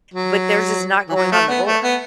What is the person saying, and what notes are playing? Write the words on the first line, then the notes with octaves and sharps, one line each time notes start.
but theirs is not going on the board.
F#3
E3
F#3
A3
B3
A3
B3